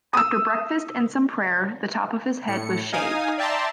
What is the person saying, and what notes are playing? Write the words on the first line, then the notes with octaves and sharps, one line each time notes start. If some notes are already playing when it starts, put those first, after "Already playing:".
After breakfast and some prayer, the top of his head was shaved.
D#6 E6
A2 C#7
D#4 F5 G#5 D#6
D5 E5 G5 A5 A#5 C6